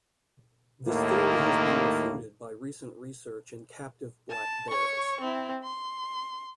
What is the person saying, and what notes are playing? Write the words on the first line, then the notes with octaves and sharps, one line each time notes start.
This theory has been refuted by recent research in captive black bears.
D#2 A2 D#3 A#3
A5
C#5 C#6
C4 E4
C6